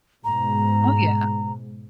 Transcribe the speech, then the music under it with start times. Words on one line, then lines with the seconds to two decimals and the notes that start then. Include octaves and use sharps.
Oh, yeah.
0.24 G#2 B2 A#5